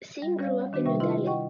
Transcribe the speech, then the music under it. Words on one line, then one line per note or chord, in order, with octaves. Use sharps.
Singh grew up in New Delhi.
G3
G3 C#4 C#5 D5 F5
D#3 D4 F#4 B4 C5
C3 G3 E5 G5 C#6
E4 F4 B4 D#5 C6
D#5 F#5 G5 C#6